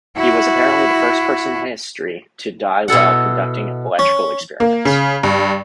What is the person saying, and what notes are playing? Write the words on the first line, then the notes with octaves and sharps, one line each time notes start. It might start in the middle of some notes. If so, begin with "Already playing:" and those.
He was apparently the first person in history to die while conducting electrical experiments.
E4 F#4
B2 E4 A4 F#5
C#4
A#3
C#3
G2